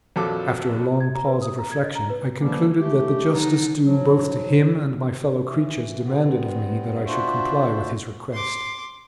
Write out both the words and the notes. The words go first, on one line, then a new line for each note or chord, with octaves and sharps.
After a long pause of reflection I concluded that the justice due both to him and my fellow creatures demanded of me that I should comply with his request.
A#1 F2 F#3 A4 D6
G#6
A#5
B4
D#6
A#5
G#6
D#5
A#5
B4
D3 E3 F3 G3 A#3
G#3 A3 G4
D3 E3 F#3 D4 D#4
G#2 B2 F3 F#3
E3
G2 B3 C4
D4 F4 F#4 C5 E5
C6 D6